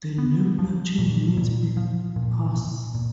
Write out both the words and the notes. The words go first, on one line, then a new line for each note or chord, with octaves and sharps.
The name "Lachen" means "big pass".
B3
F3
A#2
A#2
F3
A#2
A#2
A#2